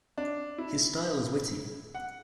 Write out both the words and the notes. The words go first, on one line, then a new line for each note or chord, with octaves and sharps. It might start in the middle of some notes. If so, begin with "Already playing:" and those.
His style is witty.
D4
E4
F#5